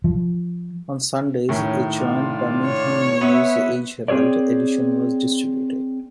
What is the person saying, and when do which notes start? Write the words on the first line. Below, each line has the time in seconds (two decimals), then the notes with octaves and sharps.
On Sundays, a joint "Birmingham News Age-Herald" edition was distributed.
0.04 F3
1.49 A2 D#3 C#4
1.97 D4 F4
2.65 C#5
3.21 B3 B4 C5 E5
4.08 C4 G#4 A4 C#5 D5